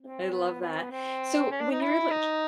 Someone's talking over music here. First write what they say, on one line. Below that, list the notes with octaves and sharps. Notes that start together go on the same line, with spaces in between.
I love that. So when you're, like,
C4
B3
B3
C4
B3
C4
C#4
D4
D#4
E4
D#4